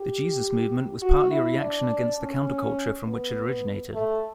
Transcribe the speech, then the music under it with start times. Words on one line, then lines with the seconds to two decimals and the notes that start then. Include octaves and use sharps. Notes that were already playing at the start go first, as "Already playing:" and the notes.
The Jesus movement was partly a reaction against the counterculture from which it originated.
Already playing: G4
1.02 F#4
1.31 E4
1.60 D4
2.19 C#4
3.06 B3
3.94 A3